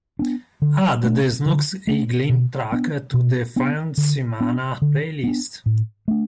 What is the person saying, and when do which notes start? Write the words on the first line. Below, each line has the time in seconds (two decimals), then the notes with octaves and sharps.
Add the snooks eaglin track to the friendesemana playlist.
0.19 B3 D4
0.62 D3
1.04 A3 D4
1.46 D3
1.87 A3 D4
2.29 B2
2.72 B3 D4
3.14 B2
3.56 B3 D4
3.98 D3
4.40 B3 D4
4.82 D3
5.24 B3 D4
5.66 A2
6.08 A3 D4